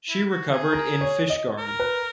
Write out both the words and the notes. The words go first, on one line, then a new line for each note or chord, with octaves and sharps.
She recovered in Fishguard.
E4
F#4
G#4
A#4
C#5
D#5
A#4
B4